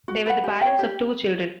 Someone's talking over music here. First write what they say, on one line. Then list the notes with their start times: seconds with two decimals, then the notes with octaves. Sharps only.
They were the parents of two children.
0.08 F#4
0.26 B4 F#5
0.44 G4
0.61 C#5 G5
0.79 G4